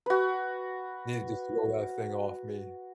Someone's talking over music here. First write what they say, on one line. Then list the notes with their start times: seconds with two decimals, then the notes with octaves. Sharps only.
needed to throw that thing off me.
0.06 F#4 B4